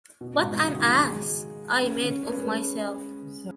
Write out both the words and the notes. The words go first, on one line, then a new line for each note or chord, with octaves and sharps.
What an ass I made of myself!
B2
B2
G#2
B2
C#3
D#3
F#3
G#3
C#4
C#4
B3
G#3
B3